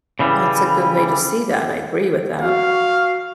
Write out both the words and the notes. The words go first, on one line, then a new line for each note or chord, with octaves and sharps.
That's a good way to see that, I agree with that.
C#3 E3 G3
F#4 F5